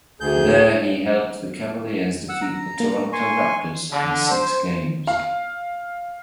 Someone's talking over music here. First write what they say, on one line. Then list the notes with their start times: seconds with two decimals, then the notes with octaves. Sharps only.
There he helped the Cavaliers defeat the Toronto Raptors in six games.
0.21 D2 G#4 G6
2.29 F#5 E6
2.42 A#5
2.80 A#3
3.13 G#5 C6 C#6
3.92 D3
4.29 C5
5.07 F5